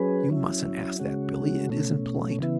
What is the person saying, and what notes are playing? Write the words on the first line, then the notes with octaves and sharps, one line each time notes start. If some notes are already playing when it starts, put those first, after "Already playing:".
"You mustn't ask that, Billie; it isn't polite!"
Already playing: F#3 C#4 G#4 B4
F#3 C#4 E4
C#3 G#3 C#4 F#4
B2 A3 C#4
C#3 E3 B3 E4